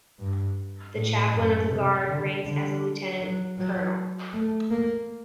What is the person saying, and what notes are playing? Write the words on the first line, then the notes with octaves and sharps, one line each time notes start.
The Chaplain of the Guard ranks as a lieutenant colonel.
G2
A2
F#2
C3
D3
D3
F#3
F#3
A3
A#3